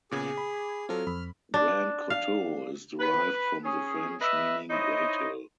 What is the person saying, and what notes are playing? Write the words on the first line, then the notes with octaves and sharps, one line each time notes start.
Grand Coteau is derived from the French meaning great hill.
A#2 C#3 B3 G#4 D6 G#6
B5
F#3 C4 F4 A4 F6
F2 B5
D4
F5
B4
C#4 G#4
B4 D#5 E5
D#4 E4 C5 C#5 D#5